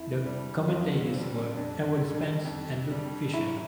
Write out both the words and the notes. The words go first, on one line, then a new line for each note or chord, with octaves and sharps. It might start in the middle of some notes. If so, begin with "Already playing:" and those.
The commentators were Ewan Spence and Luke Fisher.
Already playing: F2 E4
D3 G3
F2 F4
B3
D3 G3 C4
C#4
F2 D4
D3 G3
F2
D3 G3
F#3 E4